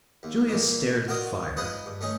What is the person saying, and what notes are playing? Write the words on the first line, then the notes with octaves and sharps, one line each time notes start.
Julius stared at the fire.
D#2
A#2 E3 D#4
F4 F#4 A#4 D5 D#5
F3 G#3 D#4 G#4 B4 D#5
G2
A3 C#4 D#4 G#4